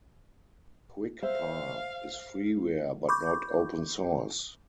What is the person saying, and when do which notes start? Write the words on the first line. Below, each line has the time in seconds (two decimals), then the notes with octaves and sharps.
QuickPar is freeware but not open source.
1.23 C5 E5 F5
3.09 B5 C#6 D6 G6